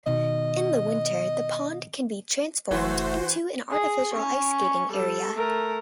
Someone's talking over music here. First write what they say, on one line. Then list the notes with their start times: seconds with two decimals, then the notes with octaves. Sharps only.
In the winter, the pond can be transformed into an artificial ice skating area.
0.06 B2 D#3 D#5
2.71 F#1 E3 A3 F#4 C5
3.71 G#4
4.13 C#4 C#6
4.92 G3 A4
5.34 A3 A#4